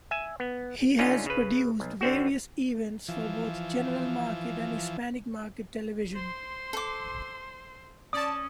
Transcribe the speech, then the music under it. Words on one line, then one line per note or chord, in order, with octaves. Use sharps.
He has produced various events for both general market and Hispanic market television.
E5 G#5
B3
D3 C#4 D#4 F4
C#3 B4
B1
D3 C4 F#4
E3 F3
C5 C6
A4 D6
C#4 D5 A5 D#6